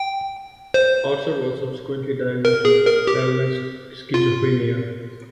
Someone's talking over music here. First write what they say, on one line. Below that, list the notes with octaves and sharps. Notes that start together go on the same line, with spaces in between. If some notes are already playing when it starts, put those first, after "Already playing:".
Archer was subsequently diagnosed with paranoid schizophrenia.
Already playing: G5
C5
A#4
G#4
A#4
G4
F4